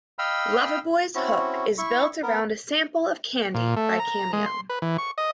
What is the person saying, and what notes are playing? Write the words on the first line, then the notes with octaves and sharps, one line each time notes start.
"Loverboy"'s hook is built around a sample of "Candy", by Cameo.
D#5 F5 G5 B5 E6 F6
C4 C#4 E4 F#4
E4 E5 C#6
B3 A#4
A#2
A3
A#5
G#3
C6
B4
E3
C#6
D#5